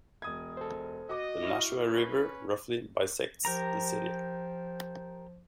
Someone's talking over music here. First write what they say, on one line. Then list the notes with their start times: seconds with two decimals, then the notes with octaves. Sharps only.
The Nashua River roughly bisects the city.
0.22 E1 D#6 G#6
0.57 A4 C5
1.09 F#4 D#5 D6
1.43 E4 C#6 F6
1.86 C#4 B4
3.45 F3 G4 A#4 A#5